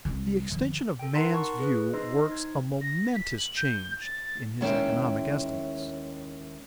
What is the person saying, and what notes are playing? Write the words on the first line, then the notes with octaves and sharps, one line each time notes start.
The extension of man's view works a momentous change in his economic estimates.
C2 F#3
F2 D3
A4 G5
D#4 A#4 F#5 A5 A#5 C6
F5 A5 C#6
G#4 B4
D#4 C5 D#5 C6 E6
D#4 C5 G#6
A#6
B6
F#7
G6
A6
D#2 G#3 C#4 E4 E5 G5